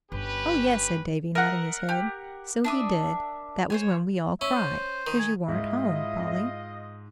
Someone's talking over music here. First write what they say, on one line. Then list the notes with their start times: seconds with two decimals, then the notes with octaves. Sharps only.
"Oh, yes," said Davie, nodding his head, "so he did; that was when we all cried 'cause you weren't home, Polly."
0.12 G1 C#4 G4 B4
1.35 A#4 E5 F#5 A#5 D#6
1.89 G4
2.64 D4 E5 D#6
3.70 C5 C#5 G#5
4.41 C#4 E5
4.56 C5
5.07 D#3
5.19 G#5
5.48 G#2 E4 F4 D#5